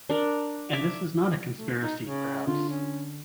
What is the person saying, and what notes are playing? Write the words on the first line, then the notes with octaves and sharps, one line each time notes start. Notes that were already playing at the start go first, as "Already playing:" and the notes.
And this is not a conspiracy, perhaps?
D4 A#4
E5 D6
A3
D#4
C#3
D3 F4
C#4